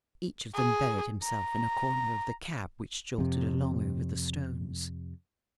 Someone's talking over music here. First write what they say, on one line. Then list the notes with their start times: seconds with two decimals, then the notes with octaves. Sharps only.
Each of them buried himself in a corner of the cab which jolted along over the stones.
0.54 G#4
1.23 A#5
3.18 F2 C3